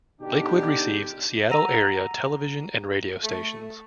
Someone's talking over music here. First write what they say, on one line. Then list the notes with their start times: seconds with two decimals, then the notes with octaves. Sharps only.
Lakewood receives Seattle area television and radio stations.
0.21 B2 D3 D4 D#4 G4
1.51 F#5 A#5 E6 A#6 D#7 F7
3.23 A3